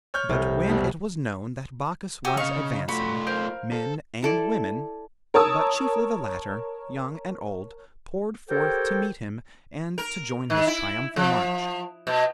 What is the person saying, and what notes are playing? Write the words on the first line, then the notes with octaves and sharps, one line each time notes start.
But when it was known that Bacchus was advancing, men and women, but chiefly the latter, young and old, poured forth to meet him and to join his triumphal march.
C#5 F6 G6
C2
F1 B2 G3
F#4 G4 G#5 E6
C#3 D#4 F5 C#6
A3 F4 F#4 B5
A#4 C5 F5
A4
E4 A4 D5
A#4 C#5 A5 D#6 E6
G4 A4 A#4 C5 C#5 G5
A#4
D#3
E4
F3
B2